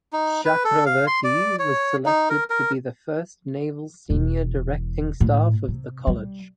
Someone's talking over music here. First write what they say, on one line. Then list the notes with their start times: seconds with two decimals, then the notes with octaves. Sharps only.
Chakraverti was selected to be the first Naval Senior Directing Staff of the college.
0.13 D#4
0.45 B4
0.64 A4
0.86 F5
1.07 C6
1.24 D5
1.59 C#5
2.06 D#4
2.30 A#4
2.50 A#4
4.10 E1
5.21 A2
5.68 C3
6.07 G3